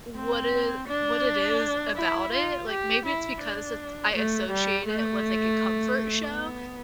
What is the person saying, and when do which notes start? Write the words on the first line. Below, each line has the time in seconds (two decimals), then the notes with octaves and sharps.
what it what it is about it, like, maybe it's because it I associate it with, like, a comfort show
0.16 C4
0.88 D4
1.96 E4
2.32 F4
2.69 G4
3.05 E4
3.41 D4
4.14 A3
4.50 G3
4.86 A3
6.30 B3